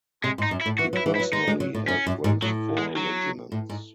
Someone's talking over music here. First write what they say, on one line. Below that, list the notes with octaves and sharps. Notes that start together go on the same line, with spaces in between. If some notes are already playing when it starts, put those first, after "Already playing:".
He personally helped raise four regiments.
C3 G#3
G#2
D#4
F#2
E4
A2
E3 F#4
F#3
E4
E3
E4
F#3
G#3 D#4
G#3
F#3
A2
F#2 C#4
F#2
G#2
A2 F#3
G#3
F#3
A2
G#2